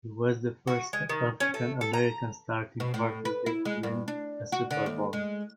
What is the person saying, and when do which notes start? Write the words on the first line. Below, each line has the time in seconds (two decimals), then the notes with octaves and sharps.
He was the first African-American starting quarterback to win a Super Bowl.
0.67 F#4
0.93 G#3
1.09 D#3
1.40 C#4
1.54 A3
1.81 A4
1.93 A#5
2.80 B2
2.94 A2
3.25 B4
3.46 E4
3.65 G#3
3.83 G2
4.08 D4
4.52 F#4
4.71 D3
4.86 D#2
5.13 G#3